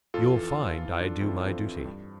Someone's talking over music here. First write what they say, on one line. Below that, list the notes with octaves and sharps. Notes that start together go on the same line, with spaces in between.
"You'll find I do my duty."
F2 F4 A4
E3
F2
E3
F2 D4
E3 C4 E4
D4
F2 C4
E3
G2